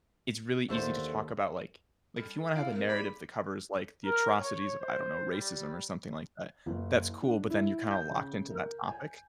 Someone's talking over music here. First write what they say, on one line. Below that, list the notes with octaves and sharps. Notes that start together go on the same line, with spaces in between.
it's really easy to talk about, like like, if you want to have a narrative that covers, like, the atrocities of, I don't know, racism or something like that, that's cool, but then you're kinda locked into that topic.
D#2 D3 A3 C5
G3 A4
E4 D5 F5
A#2 C4 A#4
G#4 D5 B5
A#4
C#5
C5
G3
F#1
D4
E4
G6
C#3
A#4
G#5